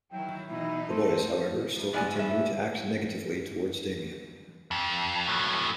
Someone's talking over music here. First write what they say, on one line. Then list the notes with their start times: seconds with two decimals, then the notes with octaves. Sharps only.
The boys, however, still continue to act negatively towards Damien.
0.12 D#3 F#3 E4 G5
0.49 B2 E3 D#4 E4
0.89 A3 A4 C5
1.76 E2
1.93 F2 G3 B3 E4 D5 G#5
2.15 E2 G2 C#4 E5
4.71 F2
5.27 A2 F#3